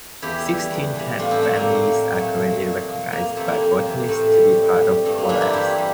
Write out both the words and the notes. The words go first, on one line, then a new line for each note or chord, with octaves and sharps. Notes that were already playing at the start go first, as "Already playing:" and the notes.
Sixteen plant families are currently recognized by botanists to be part of Poales.
E2 E4 G4
E3 G3
E2
E3 G3
A2 D4 F4
C4 E4
F3 A3 C4
A#3
A2
F3
A#2 A3
F3
A#2
F3
F2 A#3
A#3
C3 E3 A3 C4
A#3
F2 A#3
C3 E3
A2 A3 C4
G3
A2
G3
G2 A3
A#3
E3 G3 A#3 D4
C4 E4
G2 E4 G4
G3